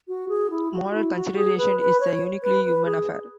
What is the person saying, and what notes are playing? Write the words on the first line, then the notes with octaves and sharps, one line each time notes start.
Moral consideration is a uniquely "human" affair.
F#4
G#4
E4
F#4
E4
F#4
G#4
B4
B4
C#5
B4
B4
G#4